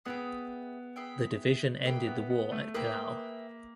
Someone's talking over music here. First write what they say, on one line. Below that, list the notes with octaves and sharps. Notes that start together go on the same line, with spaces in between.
The division ended the war at Pillau.
B3 G#4 B4 E5 G5
G#4 B4 E5 G5
A#3 G#4 B4 E5 G5
B3
B3
A3
A#3 G#4 B4 E5 G5